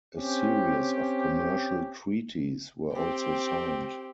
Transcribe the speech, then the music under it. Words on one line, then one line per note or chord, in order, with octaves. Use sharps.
A series of commercial treaties were also signed.
C4 C#4 G4
C4 G4